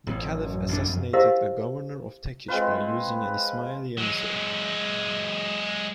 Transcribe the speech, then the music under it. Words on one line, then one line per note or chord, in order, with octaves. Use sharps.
The Caliph assassinated a governor of Tekish by using an Ismaili emissary.
A1 F2
F#2
A1 D4
F2
E4 G4 A#4 C5 D#5 F5
G#3 C4 F4 B4
F#3 G#3